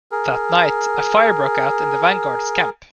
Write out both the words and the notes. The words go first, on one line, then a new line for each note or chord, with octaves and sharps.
That night, a fire broke out in the vanguard's camp.
G#4 A#4